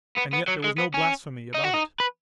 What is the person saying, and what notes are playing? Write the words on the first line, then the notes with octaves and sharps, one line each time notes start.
And yet there was no blasphemy about it.
B3
B3
F#3
G#3
B3
C#4
D#4
F#4
D#4
B4